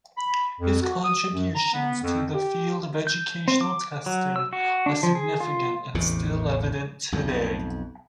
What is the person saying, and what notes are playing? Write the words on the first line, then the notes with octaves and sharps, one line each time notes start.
His contributions to the field of educational testing are significant and still evident today.
B5
F2
F#4
D#6
F#2
A#5
B3
F2
G4
G6
C4
D6
F#3
E6
F#4
D4
F3
G#4
F4
A1 E2 A2 C3
B1 F2